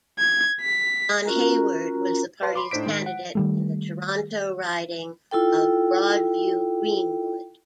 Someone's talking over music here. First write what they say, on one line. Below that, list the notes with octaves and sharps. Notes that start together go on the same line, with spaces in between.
Don Hayward was the party's candidate in the Toronto riding of Broadview-Greenwood.
G#6
B6
C#4 F4 F#4 A#4 A#5
B4 D5 F5 A5 C6
B5 C6 D6
A2 D4 D#4 C5 B6 D7
D#3 G#3
F#5
D#3 G3 A3
E4 F4 A4 G5